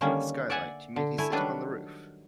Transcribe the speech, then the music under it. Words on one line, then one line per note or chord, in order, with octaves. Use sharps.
Through the skylight? You mean he's sitting on the roof?
D3 D#3 G3 A#3 C#4
D5 E5 F#5 G#5
D3
A3 E4 G#5
D#3 F#3 G3 D4 B4